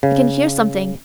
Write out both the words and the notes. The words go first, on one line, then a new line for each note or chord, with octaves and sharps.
"I can hear something!"
C#3